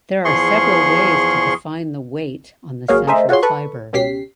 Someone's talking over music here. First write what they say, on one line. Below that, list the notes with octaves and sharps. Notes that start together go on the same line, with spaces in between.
There are several ways to define the weight on the central fiber.
E2 F3 G#4 C6 C#6
G#1 F#3 A#3 G#4 C#5 F5
A3 G#4 A#4 C5 D#5 E5
F4 F#4 G#4 C#5 C6
A4 B4 C#6
C#2 B2 C#4 G4 B6 C7